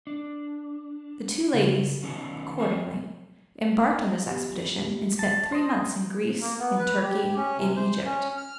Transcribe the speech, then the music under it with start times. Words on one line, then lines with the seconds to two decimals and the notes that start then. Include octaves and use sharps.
The two ladies accordingly embarked on this expedition, and spent three months in Greece, in Turkey, in Egypt.
0.07 D4
1.54 C#3
2.03 D#3 F#3 C#4 A4
2.58 C4 F4 G#5
4.23 B3 F4 G4
5.19 A5
5.52 D4 C5 D#5
6.41 A#3
6.59 B3
6.79 B4
7.02 G4
7.36 C#4
7.57 C3
7.77 C5
8.05 C#4
8.37 F6